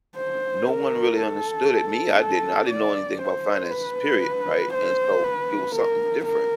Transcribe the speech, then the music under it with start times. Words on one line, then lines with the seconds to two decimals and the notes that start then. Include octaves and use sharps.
no one really understood it. Me, I didn't, I didn't know anything about finances, period, right? And so it was something different,
0.16 C5
0.67 A#4
1.18 A4
2.20 A4
2.69 D5
3.21 C5
3.71 B4
4.73 C5
5.23 B4
5.75 A#4
6.26 A#4